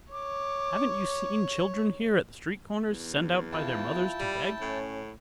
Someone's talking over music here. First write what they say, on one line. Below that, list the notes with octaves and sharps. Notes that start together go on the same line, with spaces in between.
Haven't you seen children here at the street corners sent out by their mothers to beg?
C#5 D6
E2
E4 F4 G5 A5
G3
A2 C#4